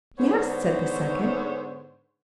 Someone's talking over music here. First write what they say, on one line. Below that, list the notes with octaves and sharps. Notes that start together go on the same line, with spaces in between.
"Yes," said the second.
G#2 D3 B3 C5 C#5